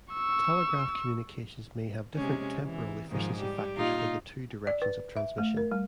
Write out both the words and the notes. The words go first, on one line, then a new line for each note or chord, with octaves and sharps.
Telegraph communications may have different temporal efficiency factors for the two directions of transmission.
C#6 E6
C3 G#3 C#4
E3
G#2 D#3 F3
G3 G4
A#2 D#4 F4
D5
B4
E5
A3
A#4
G3